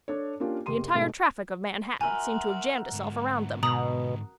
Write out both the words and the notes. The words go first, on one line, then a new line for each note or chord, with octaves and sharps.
The entire traffic of Manhattan seemed to have jammed itself around them.
D4 A4 C#5
A#3 C#4 D4 F4 G4
F#1 A#3 G4 C6 D#7
G#2 B2 G#3 A3
F#4 A#4 E5 G#5 A#5 C6
G#2 D3
B2 A#5 D#6 F#7